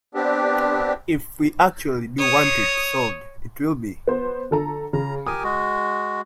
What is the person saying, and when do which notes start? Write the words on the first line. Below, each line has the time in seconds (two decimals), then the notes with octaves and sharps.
If we actually do want it solved, it will be.
0.14 B3 C4 D4 G4
2.19 C#5 D#6
4.08 B3 C5
4.51 D3 A4 A#5
4.93 C#3 A#5
5.27 G4 A#4 G#5 D#6
5.44 G#3 F#4